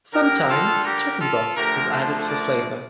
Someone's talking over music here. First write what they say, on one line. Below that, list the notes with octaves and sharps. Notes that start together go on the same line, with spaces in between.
Sometimes chicken broth is added for flavor.
D3 G3 G4 A#4
F4 A4
G4 A#4
F4 A4
D3 F3 A3 G4 A#4
A4 C5
A#4 D5